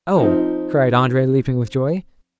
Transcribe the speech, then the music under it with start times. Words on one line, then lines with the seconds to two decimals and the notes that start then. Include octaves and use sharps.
"Oh," cried Andrea, leaping with joy.
0.17 F3 C4 D#4